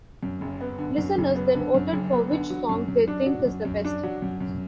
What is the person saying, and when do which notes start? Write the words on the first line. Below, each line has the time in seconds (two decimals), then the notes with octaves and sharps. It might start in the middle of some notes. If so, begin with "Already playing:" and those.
Listeners then voted for which song they think is the best.
0.23 F#2
0.41 F#1
0.61 B3
0.79 D3
0.98 F#2
1.18 F#1
1.36 B3
1.55 D3
1.74 F#2
1.93 F#1
2.12 B3
2.31 D3
2.50 F#3
2.69 F#2
2.88 F#2
3.08 D4
3.26 F#3
3.46 F#2
3.65 F#2
3.85 D4
4.03 F#3
4.22 F#2
4.41 F#2